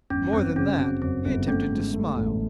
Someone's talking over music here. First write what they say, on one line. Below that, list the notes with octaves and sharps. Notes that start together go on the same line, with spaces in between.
More than that, he attempted to smile.
G1 C#4
F#2 C4
C#3 C#4
F#3 C4
F#2 C4
G1 C4
A3 C#4
G#2
A3
A1